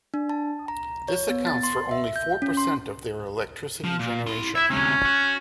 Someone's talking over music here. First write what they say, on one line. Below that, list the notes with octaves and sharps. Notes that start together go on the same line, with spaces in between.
This accounts for only four percent of their electricity generation.
D4
A5
A#5
C#5
B3
A6
C6
E5
G6
C#4
C6
F3
A#2
E4 C6
E4 E5
D2 C3 C#4
F#4